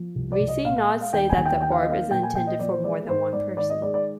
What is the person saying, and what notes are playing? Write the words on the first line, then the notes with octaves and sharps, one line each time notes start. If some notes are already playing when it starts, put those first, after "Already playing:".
We see Nod say that the orb isn't intended for more than one person.
Already playing: F3
C2
D5
C2
D#5
A#2 F5
F5
G#3
F5
D#2 G5
G#5
D#2
G5
D#3 G5
F5
D#5
A#3 F5
A#2 G5
G#5
A#2 G5
D#5
F3 D5
C5
G#3 D5
G#2 C5
G#2 D5
D#3 D5
D#5
G#3 D5
D5